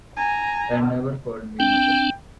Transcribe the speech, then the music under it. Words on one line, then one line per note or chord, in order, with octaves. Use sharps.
And never called me mother!
G#5 A#5
C4 D4 G5